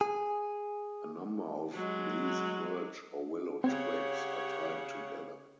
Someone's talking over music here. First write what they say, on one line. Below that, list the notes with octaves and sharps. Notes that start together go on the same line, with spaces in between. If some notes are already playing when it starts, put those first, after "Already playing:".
A number of these birch or willow twigs are tied together.
G#4
F#3 G#3
C#3 C4 G4 C#5 F#5